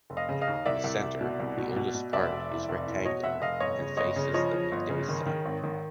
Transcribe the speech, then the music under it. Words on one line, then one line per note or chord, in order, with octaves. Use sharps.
The center, the oldest part, is rectangular and faces the midday sun.
F1
D#5 F5
C#3
D#5 F5
D#2
C2 D5 E5
C2
C2
B2
C2
B2
B2
B2
F1 D5 E5
F1
E2
F1
E2
B2 C#5 D#5
F1 E5 F#5
F1 D#5 F5
G1 C#5 D#5
C#3
G1 C#5 D#5
C#3
F3 C#5 D#5
F3
G1
C#3
D#3
D#3
G#1
D#3